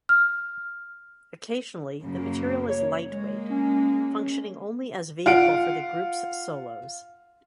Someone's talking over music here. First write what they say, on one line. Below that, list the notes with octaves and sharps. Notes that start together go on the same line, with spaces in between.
Occasionally, the material is lightweight, functioning only as vehicle for the group's solos.
F6
F#2 C#3 A#3
C#5
G#3 A#3
C#4
F4 F#5 D7